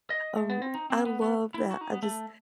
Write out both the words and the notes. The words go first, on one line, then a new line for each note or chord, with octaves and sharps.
Um, I love that. I just,
D#5
A3
B3
C4
D#4
C4
B3
B3
E4
F#4
D#4
B3
A3